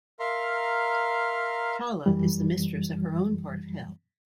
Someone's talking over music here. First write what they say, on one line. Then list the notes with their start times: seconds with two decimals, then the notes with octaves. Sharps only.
Tala is the mistress of her own part of Hell.
0.20 A#4 E5 F5 A#5 C6
2.06 F#2 E3 G3